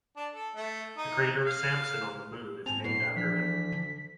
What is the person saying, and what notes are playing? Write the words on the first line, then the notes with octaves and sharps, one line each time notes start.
The crater Sampson on the Moon is named after him.
D4
A4
A3
D#4
F5
G#2 C4 G#5 A5 F7
D2 A#2 F#3 B3 F#4 C7
E3 F3 D4 B6
D3